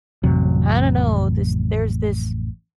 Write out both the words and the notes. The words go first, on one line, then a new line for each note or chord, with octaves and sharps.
I don't know, this there's this
A1 F2 C3 F#3